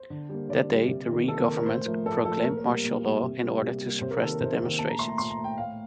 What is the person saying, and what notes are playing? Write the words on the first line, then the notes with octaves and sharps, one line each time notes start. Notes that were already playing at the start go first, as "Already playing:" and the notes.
That day the Rhee government proclaimed martial law in order to suppress the demonstrations.
Already playing: C5
D3
G3 A#3
D3 D5
G3 A#3
C3
D#3 A#3
C3 A4
A#4
D#3 A#3
A#4
A2 C5
F3 A3 A#4
A2 A4
F3 A3 A4
A#2 A#4
A#4
G3 A#3
A#4
A#2
G3 A#3
C3
G3 A#3
C3
G3 A#3
C3 C5
A#4
D#3 A#3 A4
A#4
C3 C5
D#3 A#3
A#2 A5
A#5
A3 C6
A#5
A#2 C6
A#5
A3
G5
A2 F5